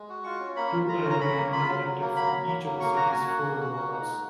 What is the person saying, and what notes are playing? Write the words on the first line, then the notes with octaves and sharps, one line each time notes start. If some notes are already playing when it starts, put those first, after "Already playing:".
Two aldermen are elected from each of the city's four wards.
Already playing: G#3
F#4
F4 C#6
C#4
A#3 B5
F4
F4 A#5
C#4
A#5
C#4 B5
A#3
F4 B5
F#3
F#3
A#3
F#3 B5
F#3
A#3
F#3
A#3 C#6
F#4 A#5
F#4 G#5
A#3 F#5
A#3
F#4
A#3
D#4
G#3